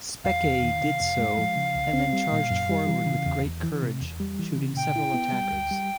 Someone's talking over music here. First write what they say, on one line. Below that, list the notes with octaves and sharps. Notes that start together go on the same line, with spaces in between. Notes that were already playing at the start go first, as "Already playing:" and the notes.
Speke did so and then charged forward with great courage shooting several attackers.
E2 F5
E2
D#3
C3
F2
G#3
F3
C#3
C2
C4
G3
A#2
F#2
G3
E3
C#3
E2
E2
E3
C3
E2
G3
E3
C#3
A#2 G5
E4
B3
G3
D2
G3